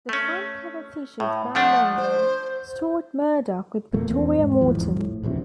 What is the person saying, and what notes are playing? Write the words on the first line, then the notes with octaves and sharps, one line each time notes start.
The front cover features band member Stuart Murdoch with Victoria Morton.
A3 C#4
A2
F3 A3 D4 F#5
C5
E2 A#2 A3 A#3
E2 A#3 C4
G#2
D#1 G#1 E2 F3
A2
D#1 A#1 E2 C3